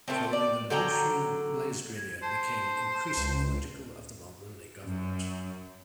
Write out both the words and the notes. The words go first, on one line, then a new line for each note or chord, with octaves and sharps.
Following the demotion, Blais-Grenier became increasingly critical of the Mulroney government.
A#2 F3 A3 C4
D5
D3 F#3 G5 A#5
G#6
C5 A5
C#2
F#2